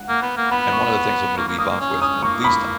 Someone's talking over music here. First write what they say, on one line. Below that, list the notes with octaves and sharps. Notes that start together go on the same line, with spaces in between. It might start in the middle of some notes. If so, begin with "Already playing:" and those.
And one of the things I'm gonna leave off with, at least
Already playing: F#5
A#3
B3
A#3
B3 B5
C#6
A#3 C#6
A#3
A#3 D#6
A#3
C#4
C#4 D#6
A#3 C#6
B5